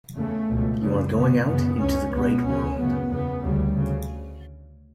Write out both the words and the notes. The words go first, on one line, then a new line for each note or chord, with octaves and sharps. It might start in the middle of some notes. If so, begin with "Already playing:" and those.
You are going out into the great world.
E2 C#3 A3
C#2 B2
F#2 C#3 G3
D2 C#3 B3
F#2 C#3 B3
C#2 C#3 C#4
C#2 B2 B3
D2 C#3 C#4
F#2 C#3 B3
E2 C#3 B3
D2 C#3 G3
D2 C#3